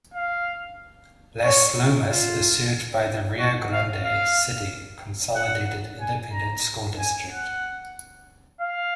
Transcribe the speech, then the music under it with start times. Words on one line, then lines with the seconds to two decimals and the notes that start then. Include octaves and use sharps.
Las Lomas is served by the Rio Grande City Consolidated Independent School District.
0.14 F5
1.44 C#5
2.09 F4
3.40 F#4
3.72 F5
4.04 F5
5.35 F#5
6.00 G#5
6.33 A#5
6.99 G#5
7.31 F#5
8.61 F5